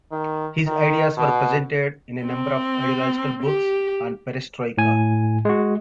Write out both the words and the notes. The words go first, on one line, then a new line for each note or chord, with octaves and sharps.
His ideas were presented in a number of ideological books on perestroika.
D#3
D#3
B2
C4
G4
A2 G#5
G#3 F#4